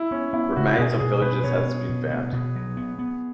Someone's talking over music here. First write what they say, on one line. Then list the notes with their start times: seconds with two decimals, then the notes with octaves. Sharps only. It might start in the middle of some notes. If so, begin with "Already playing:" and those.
Remains of villages has been found.
Already playing: E4
0.11 B3 C#4
0.33 B3 E4
0.56 C#3 F#4
0.78 B2 G#4
1.00 B2 G#4
1.22 B2 B4
1.44 B2 C#5
1.66 B3
1.89 B2
2.10 B3
2.33 B2
2.55 F#3
2.77 B3
2.99 B3